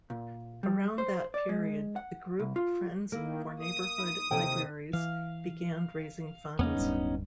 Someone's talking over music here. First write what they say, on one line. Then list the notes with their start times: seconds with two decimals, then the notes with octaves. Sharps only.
Around that period the group Friends for Neighborhood Libraries began raising funds.
0.10 A#2
0.63 G3
0.98 C5
1.34 D5
1.49 G#3
1.96 F#5
2.39 C2
2.56 F4
3.12 D#3 A#3 E4 A#4
3.60 D#6
3.98 D#4 E5 B5
4.31 D#2 C3 C4 A4 C#5 G5
4.93 E3 F5
6.59 E2 A#3 B3 C#4 D#4
6.77 D1 G2